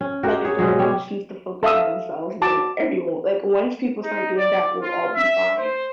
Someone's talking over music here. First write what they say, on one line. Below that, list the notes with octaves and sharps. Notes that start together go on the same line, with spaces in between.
like I said, everyone seems to focus on themselves and then everyo like, once people start doing that, we'll all be fine
C#4
F#4 G4 A#4
G#4 C#5
B2 F#3 G#3
G3 C#5
A4 E5 F5 D#6 E6
F#4 A5 D6
D#4
D5
F4
E5
C5